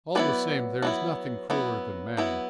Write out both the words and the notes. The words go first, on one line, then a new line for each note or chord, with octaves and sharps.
All the same, there is nothing crueller than man.
F#3 B3 E4 B4 D5
F#3 B3 E4
F#3 B3 E4
F#3 B3 E4